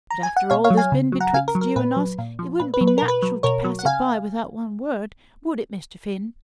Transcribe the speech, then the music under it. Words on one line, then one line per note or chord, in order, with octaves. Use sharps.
But after all there's been betwixt you and us it wouldn't be natural to pass it by without one word; would it, Mr. Finn?
A#5
G#5
F#5
B2 C#5 F5
C#5 F5
F#3
F5 G#5
C#3
F#3
F#5 A#5
C#3 F5 G#5
A#4
F#3
A#4
A#2 B4
F#3
A#2
F3
A#2 B4
B4
F#3
B4
B2 A#4
B4
F#3
B2 A#4 C#5
F#3
F#5
C#3 F5 G#5